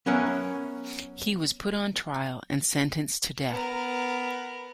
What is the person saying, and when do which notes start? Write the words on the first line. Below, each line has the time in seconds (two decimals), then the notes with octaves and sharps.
He was put on trial and sentenced to death.
0.06 F#3 B3 C#4 A#4 E5 F#5
3.50 B3 A#4